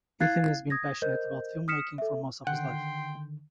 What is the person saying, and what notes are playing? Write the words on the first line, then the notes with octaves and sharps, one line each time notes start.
Ethan has been passionate about filmmaking for most of his life.
E4 F5 F#6 G#6 A6 C7
D#6 G#6 A#6
A#4 C5 D#5 G6
D#6 F6 B6 C#7 E7
A4 E5
D3 D#3 F#5 G5 C6